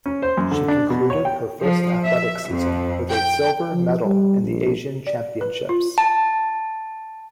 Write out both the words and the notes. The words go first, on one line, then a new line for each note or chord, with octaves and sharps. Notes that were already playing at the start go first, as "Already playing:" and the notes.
She concluded her first athletics season with a silver medal in the Asian championships.
C#4
C5
F#2
D3
D4
B2
C#5
G5
F3
E5
F2
G5
F3
G3
A#1
D5
B4
F4
A5